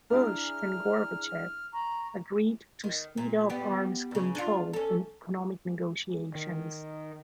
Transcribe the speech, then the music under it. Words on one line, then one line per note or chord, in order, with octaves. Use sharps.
Bush and Gorbachev agreed to speed up arms control and economic negotiations.
D4 E4 G#4 D5 A#5 F6
A#5 C#6
D#3
A#2
G3 B3 G4
E2 C#3
D4 F4
C#4 A4
D#3